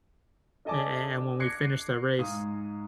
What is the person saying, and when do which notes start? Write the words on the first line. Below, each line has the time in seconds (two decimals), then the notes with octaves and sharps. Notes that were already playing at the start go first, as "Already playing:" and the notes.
a a and when we finished that race,
0.65 D4 A4 D#5 G#5 A5 D6
1.40 D6 F#6 G#6 A#6 C7 C#7
2.18 G#2 D#4 F5 D#6